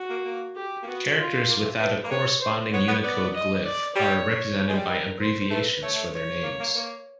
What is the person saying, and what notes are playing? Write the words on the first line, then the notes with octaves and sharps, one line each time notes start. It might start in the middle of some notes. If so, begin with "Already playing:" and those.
Characters without a corresponding Unicode glyph are represented by abbreviations for their names.
Already playing: F#4
A#3
A#3
G4
A#3
B3 F#4
F4
A#3
E3
A3 B4
A#3
B3 C#5
C5
B3 C#5
B3
B3 D5
D#5
D5
G3 C#5
G#3
G3
A#4
C5
A3 B4
A3 C#5
C#5
A#3
A#3
A#3